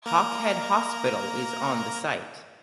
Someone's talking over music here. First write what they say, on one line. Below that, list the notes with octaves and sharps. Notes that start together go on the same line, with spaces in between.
Hawkhead Hospital is on the site.
A#3 A#4 A#5